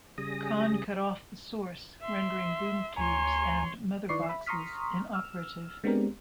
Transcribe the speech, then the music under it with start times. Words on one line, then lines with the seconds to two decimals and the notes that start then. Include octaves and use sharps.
Khan cut off the Source, rendering Boom Tubes and Mother Boxes inoperative.
0.18 C#3 G3 G#4 D#6 A#6
2.02 E5 C6
2.96 D2 C#5 G#5 A#5 C6
4.09 D#3 E4 B4 D5 C#6 C7
4.26 E5 B5
4.46 A#5 C6 C#6 D#6 F6 B6
5.13 E6 F6
5.84 G#3 B3 C4 D4 G4 A#4